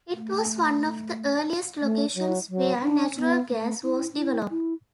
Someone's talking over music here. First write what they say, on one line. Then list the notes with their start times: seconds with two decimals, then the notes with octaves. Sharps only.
It was one of the earliest locations where natural gas was developed.
0.13 A3
1.81 A3
2.14 F#3
2.49 F#3
2.82 D4
3.16 B3
3.50 A3
3.82 E4
4.16 E4
4.50 E4